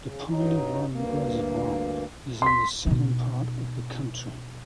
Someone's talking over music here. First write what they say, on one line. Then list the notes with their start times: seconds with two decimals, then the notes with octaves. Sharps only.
The Piney Run Reservoir is in the southern part of the county.
0.02 C#3
0.30 G2 F#3 D#4
0.92 D2 G2 A#3
2.42 C6 B6
2.86 B2 D#4